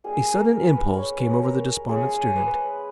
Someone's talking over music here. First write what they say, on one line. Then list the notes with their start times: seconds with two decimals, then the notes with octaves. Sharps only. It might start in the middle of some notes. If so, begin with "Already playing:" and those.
A sudden impulse came over the despondent student.
0.04 G3 A#3 D#4 G#4
0.35 A#4
0.66 B4
0.97 C#5
1.20 B4
1.43 A#4
1.89 G#3 C#4 E4 G#4
2.36 B4